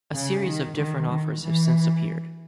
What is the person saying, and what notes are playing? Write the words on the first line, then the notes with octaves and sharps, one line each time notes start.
A series of different offers have since appeared.
C#3
D#3
D#3
D#3
E3